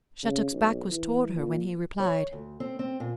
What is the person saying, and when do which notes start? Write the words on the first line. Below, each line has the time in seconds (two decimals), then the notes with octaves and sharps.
Shattuck's back was toward her when he replied.
0.23 C#3
0.52 B1
0.90 E3
1.35 A#2
2.00 C#5
2.33 D2
2.60 C4
2.79 C4
3.00 A#2